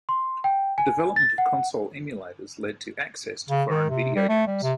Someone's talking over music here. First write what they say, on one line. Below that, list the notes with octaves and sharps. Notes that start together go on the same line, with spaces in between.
The development of console emulators led to access to foreign video games.
C6
G5
G#5
A6
F#5
C#3
D#3
C3
G3
A3
G3
C3